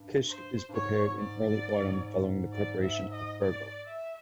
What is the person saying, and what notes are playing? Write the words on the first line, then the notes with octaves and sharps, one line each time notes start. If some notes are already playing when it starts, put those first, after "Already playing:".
Kishk is prepared in early autumn following the preparation of burghul.
Already playing: G2
C5
G2
G#2 C#5
D5
D5
E5
D#5
D5
E5